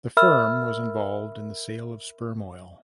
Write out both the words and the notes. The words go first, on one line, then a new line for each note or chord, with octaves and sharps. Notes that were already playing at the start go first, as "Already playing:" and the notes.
The firm was involved in the sale of sperm oil.
A#4 E5 B5 E6 F6